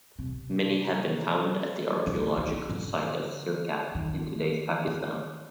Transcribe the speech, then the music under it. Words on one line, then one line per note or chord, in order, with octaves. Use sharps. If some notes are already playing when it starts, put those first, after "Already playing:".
Many have been found at the archaeological site of Sirkap, in today's Pakistan.
C3
D3
D#3
D3
D#3